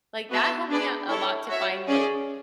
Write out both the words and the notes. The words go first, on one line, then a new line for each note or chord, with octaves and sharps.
like, that helped me out a lot to find, like,
B3 F#4 B4 E5 A5
D4 G#4 B4 D5
E4 A4 C#5
F#4 C#5 E5
C#4 G#4 D5